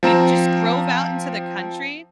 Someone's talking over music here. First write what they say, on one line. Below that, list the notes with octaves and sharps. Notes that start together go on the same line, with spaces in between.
we just drove out into the country,
F3 C4 A#5 E7